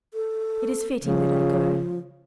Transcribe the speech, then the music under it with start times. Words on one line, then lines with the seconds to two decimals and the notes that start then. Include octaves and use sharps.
It is fitting that I go.
0.14 A4
1.04 C#3 F3